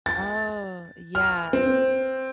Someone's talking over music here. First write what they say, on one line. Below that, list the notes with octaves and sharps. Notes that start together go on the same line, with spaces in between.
Oh, yeah.
A6
F6
C4